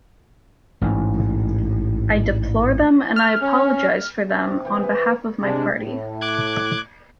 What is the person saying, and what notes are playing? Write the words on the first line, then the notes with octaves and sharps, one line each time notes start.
I deplore them and I apologise for them on behalf of my party.
A1 G#2
F6
C#4
C3
E3 G4
E4 B4
C3 G#3 D4
A2
D6 F#6 G#6